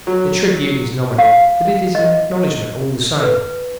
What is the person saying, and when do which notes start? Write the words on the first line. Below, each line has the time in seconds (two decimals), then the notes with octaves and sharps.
The tribute is nominal, but it is an acknowledgment all the same.
0.07 F#3
1.18 F5
1.95 D#5
3.23 B4